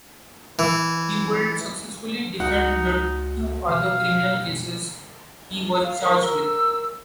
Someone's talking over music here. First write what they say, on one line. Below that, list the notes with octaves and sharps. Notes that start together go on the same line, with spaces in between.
He would successfully defend the two other criminal cases he was charged with.
E3
C#2 D#4 F#4 F#5
B2 F5
F5
A#4 C#6
A#4 E6